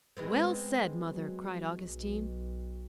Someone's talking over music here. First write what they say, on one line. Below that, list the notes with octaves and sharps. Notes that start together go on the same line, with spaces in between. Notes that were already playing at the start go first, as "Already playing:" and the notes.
"Well said, mother!" cried Augustine.
G#3 B3 C4
F#3
B1